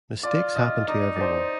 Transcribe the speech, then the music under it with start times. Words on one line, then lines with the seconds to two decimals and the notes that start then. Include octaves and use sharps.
Mistakes happen to everyone.
0.23 F4 D5
0.56 D#5
0.88 D#4 D5
1.16 D5
1.21 C5